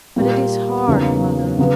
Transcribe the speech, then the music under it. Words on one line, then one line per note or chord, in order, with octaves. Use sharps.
But it is hard, mother.
A#2 G3 A#3
E2 C#3 F#3 A#3 D#4
C#3 F#3 B3